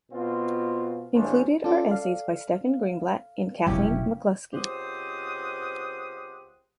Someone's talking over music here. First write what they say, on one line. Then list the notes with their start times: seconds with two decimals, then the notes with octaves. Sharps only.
Included are essays by Stephen Greenblatt and Kathleen McLuskie.
0.12 B2 C4 F4
1.14 A1 E2 C#4 D4 C5
1.64 C#4 F4 A4 D5
1.91 F5
3.67 F1 B2 F#3 C#4 E4 G4
4.53 C#2 C4 G4 C5 F#5 D#6